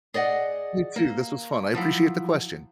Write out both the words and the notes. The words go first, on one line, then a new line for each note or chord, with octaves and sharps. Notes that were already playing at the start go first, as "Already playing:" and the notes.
You too, this was fun. I appreciate the question.
G#4 D5 D#5 F#5
A#3
F3 F#3 E4